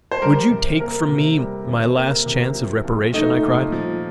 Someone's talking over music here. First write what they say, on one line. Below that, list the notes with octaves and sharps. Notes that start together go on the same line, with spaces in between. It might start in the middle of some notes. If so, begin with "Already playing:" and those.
"Would you take from me my last chance of reparation?" I cried.
C5
G3 A#4
C3
A#3 A#4
C3
G3
C3
A#3
C3
F3
A#2
A3 D#4
A#2
F3